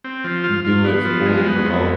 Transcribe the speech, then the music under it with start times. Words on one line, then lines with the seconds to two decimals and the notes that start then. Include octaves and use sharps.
do it fully remote.
0.04 C4
0.24 F3
0.44 F4
0.64 F4
0.85 B3
1.05 F3
1.26 G#3
1.45 B3
1.66 F2